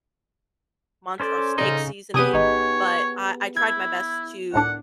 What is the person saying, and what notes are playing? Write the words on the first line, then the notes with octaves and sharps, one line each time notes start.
Montreal steak seasoning, but I I tried my best to
C#4 A4 C5 D5
C#3 D#4 A4
C3 B3 G4 G#4 D#6 D#7
G#1 D#4 C#5
E4 G#6
C#2 A2 D4 F#5